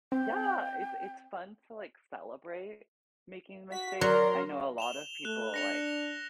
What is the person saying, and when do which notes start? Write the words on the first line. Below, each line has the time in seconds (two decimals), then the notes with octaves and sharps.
Yeah, it's it's fun to, like, celebrate making mistakes, I know a lot of people, like,
0.12 C4 G5
3.72 F#4 B6
4.01 F#3 A#4 D5 A#5 C6
4.78 E7 F7 G7
5.25 A3 F#6
5.54 D4 A#6 C#7 F7